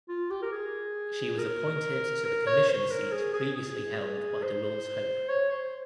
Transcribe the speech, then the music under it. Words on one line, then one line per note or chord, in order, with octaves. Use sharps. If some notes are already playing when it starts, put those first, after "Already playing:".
She was appointed to the commission seat previously held by Dolores Hope.
F4
G4
A#4
G#4
A#4
A#4
C#5
C5
A#4
G#4
G#4
G#4
C5
C#5
C5